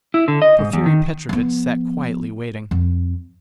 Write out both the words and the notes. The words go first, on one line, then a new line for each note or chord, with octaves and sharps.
Porfiry Petrovitch sat quietly waiting.
E4
D3
D#5
G#2
E2
D#3
F3 B3
F2